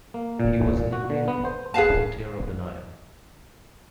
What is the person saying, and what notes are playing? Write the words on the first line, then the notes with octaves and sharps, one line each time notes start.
He was nicknamed "The Voltaire of the Nile".
A#3
A#2
A#2
F#4
D3
B3
C5
G#4 B4 F5 A5